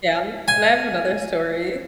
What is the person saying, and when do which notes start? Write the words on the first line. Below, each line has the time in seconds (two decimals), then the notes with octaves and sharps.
Yeah. And I have another story of
0.48 G#5